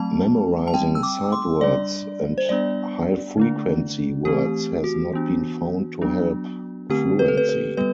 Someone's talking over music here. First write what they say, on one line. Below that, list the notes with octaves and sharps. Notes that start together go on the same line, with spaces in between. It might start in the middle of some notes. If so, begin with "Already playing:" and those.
Memorizing sight words and high frequency words has not been found to help fluency.
Already playing: F#3 A3 C4 A5
A5
G3 C4 G5
E6
D6
C6
G3 D4 D5
C5
G3 B3 D4 D5
D3 A3 D4
E3 A3 C4 G4
F#4
E3 B3 D4
F#3 B3 D4
D3 A3 C4 G4
B4
A4
B4
B4
G3 B3 B4